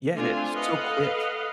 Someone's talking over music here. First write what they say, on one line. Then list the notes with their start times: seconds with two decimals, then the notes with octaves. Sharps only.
Yeah, and it's so quick.
0.14 A3 C4 D4 F4 G#5
0.54 A4 B4 D#5 F5 F#5